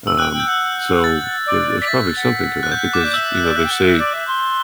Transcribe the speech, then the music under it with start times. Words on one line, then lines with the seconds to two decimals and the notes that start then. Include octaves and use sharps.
Um, so there there's probably something to that because, you know, they say,
0.07 E6
0.19 G5 F#6
0.32 G5
0.40 G6
0.47 F#5
1.04 A6
1.46 D5
1.80 D5 B6
1.87 E5 A6
2.16 F#5
2.63 F#6
2.72 G6
2.93 D6
3.03 D5
3.14 E5 E6
3.35 F#6
3.44 D5
3.56 E5 F#6
3.64 G5
3.70 F#5
3.84 E5
3.98 D5
4.13 E5
4.27 C6